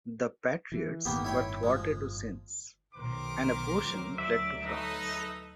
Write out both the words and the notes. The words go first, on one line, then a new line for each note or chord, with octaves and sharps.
The Patriots were thwarted since, and a portion fled to France.
E3
G1 A2 D#3 A#3 B3 G4
E4 C#5 G5
F3 G#3
B1 D#3 A#4 C5 D6
D2 F#3
D5 E5
D#4 A4 B4 D#5